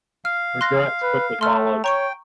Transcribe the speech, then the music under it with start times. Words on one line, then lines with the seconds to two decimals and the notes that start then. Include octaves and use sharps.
Regrets quickly followed.
0.25 F5 F6
0.61 C6 F#6 A#6
1.03 B4
1.41 A3 C6 F6
1.84 C#5 G5 A#5 C#6 D7